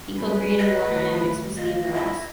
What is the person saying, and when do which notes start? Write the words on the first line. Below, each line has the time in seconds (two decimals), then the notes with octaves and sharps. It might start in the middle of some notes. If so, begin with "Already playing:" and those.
He co-created Warner-Amex with Steve Ross.
0.17 F#3 G3 C#4 B4
0.59 G#3 D#5
0.88 D#3 F#3 A3 E4
1.57 F4 D#5
1.93 E4 D#5